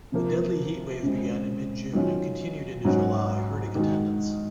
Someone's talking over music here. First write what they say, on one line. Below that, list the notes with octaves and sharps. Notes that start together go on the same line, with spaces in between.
A deadly heat wave began in mid-June and continued into July hurting attendance.
C3 F3 A#3
C#3 G#3 C4
D#3 F#3 C#4 F4
G#2 F#3 C#4 F#4
D#3 G#3 D#4 F#4